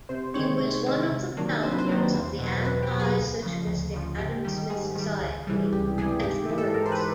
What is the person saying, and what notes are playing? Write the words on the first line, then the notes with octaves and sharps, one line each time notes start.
He was one of the founders of the anti-socialistic Adam Smith Society at Florence.
C3 C5
D#3 G#3 C4 C#5
C3
D#3 G#3 C4
C3
D#3 F#3 A#3 D4
C3 C5
B4
C5
D#3 F#3 A#3 D4
E2
B2 F#3
E2 B4
G4
B2 F#3
G#4
D2
C#3 F3
D2
C#3 F3
G#2 G4
D#3 G3 G4
G#2 G#4
D#3 G3
C#2
C3 E3 G3
C#2 G4
C3 E3 G3 G#4
G#2 G4
E3 G#3
A4
G#2 A#4
C5
B4